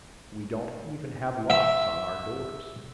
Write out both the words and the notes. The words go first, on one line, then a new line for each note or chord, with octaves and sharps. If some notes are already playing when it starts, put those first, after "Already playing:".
We don't even have locks on our doors.
E5